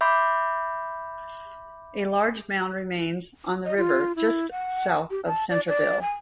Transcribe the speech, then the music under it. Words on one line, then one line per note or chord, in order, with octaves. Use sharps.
A large mound remains on the river, just south of Centerville.
E5 B5 C6 D6 G6
D#5
F4
E4
F#5
G4
A5
D5
D5
G#5